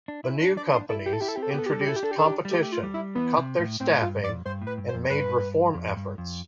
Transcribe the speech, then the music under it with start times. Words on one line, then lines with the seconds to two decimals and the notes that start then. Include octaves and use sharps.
The new companies introduced competition, cut their staffing, and made reform efforts.
0.08 D4
0.24 E4
0.41 D4
0.57 D4 D5
0.73 C5
0.89 E4 A4
1.06 G4
1.13 A4
1.21 E4 G4
1.28 A4
1.36 C4 G4
1.43 A4
1.50 G4
1.54 B3 A4
1.66 G4
1.70 G3 A4
1.81 G4
1.87 E4 A4
1.96 G4
2.03 D4 A4
2.11 G4
2.19 D4 A4
2.26 G4
2.45 G3
2.51 A3 G4
2.63 G4
2.72 F4
2.83 G3
2.94 E4
3.15 E3 B3
3.38 C3
3.59 A2
3.80 A2 C4
4.02 G2 F4
4.24 F2 D5
4.45 G2 C5
4.62 A2
4.67 B4
4.78 G2
4.89 C5
4.94 F2
5.10 G2 B4
5.75 F2
5.97 G2
6.18 F2